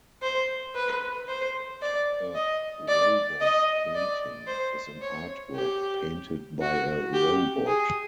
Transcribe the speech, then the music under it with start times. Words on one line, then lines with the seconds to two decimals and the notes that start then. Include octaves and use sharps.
A "robot painting" is an artwork painted by a robot.
0.22 C5
0.75 B4
1.28 C5
1.82 D5
2.35 D#5
2.88 D5
3.41 D#5
3.95 D5
4.47 C5
5.02 C#5
5.55 G4
6.61 F#4
7.13 G4
7.67 G#4